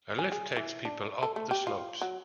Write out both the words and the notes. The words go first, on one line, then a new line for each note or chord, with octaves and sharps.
A lift takes people up the slopes.
G#5
G#4
E3
D4
A4
A3
G4
F4
F#3